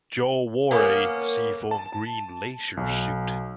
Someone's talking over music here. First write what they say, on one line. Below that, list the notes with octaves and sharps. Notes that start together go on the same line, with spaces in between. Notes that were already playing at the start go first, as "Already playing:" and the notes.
Joe wore "a seafoam green leisure suit".
A#3 B3 C#4
A5
B1